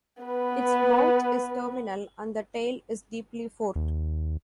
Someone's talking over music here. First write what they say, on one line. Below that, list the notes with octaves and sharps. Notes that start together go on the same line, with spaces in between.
Its mouth is terminal and the tail is deeply forked.
B3 B4
D#2